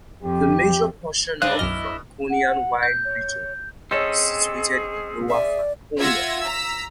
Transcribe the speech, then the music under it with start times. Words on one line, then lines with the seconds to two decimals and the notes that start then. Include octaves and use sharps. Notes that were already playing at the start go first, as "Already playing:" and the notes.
The major portion of the Franconian wine region is situated in Lower Franconia.
0.23 F2 G4
1.42 G2 C#3 D4 C5 F5 D#6 F#6
1.59 B1 F#2 B2 E4 D#5 F6
2.29 F#5
2.83 G6
3.05 C#5
3.91 C4 C#4 G#4 A4 C#5 D#5
5.30 D5 E5 G#5
5.99 F4 E5 F#5 E6 G#6 A#6
6.43 A#5 E6 B6